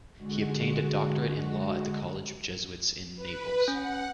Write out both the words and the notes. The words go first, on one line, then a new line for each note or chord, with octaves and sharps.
He obtained a doctorate in law at the College of Jesuits in Naples.
D3 G#3 F#4
B4
C#4 F#5